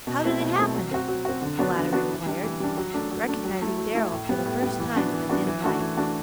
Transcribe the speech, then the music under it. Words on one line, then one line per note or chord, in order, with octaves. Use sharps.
"How did it happen?" the latter inquired, recognizing Darrell for the first time in the dim light.
B2
A3 C4 E4
B2
A3 C4 E4
F#3
C4 F#4
F#3
C4 F#4
D3
F#3 B3 D4 F#4
D3
F#3 B3 D4 F#4
E3
G3 D4
E3
G3 D4
F#3
A3 D4
F#3
A3 D4
F#3
A3 E4
F#3
A3 E4
A2
G3 B3
A2
G3 B3
E3
B3 D4 F#4
E3
B3 D4 F#4
E3
A3 D4 F#4
E3
A3 D4 F#4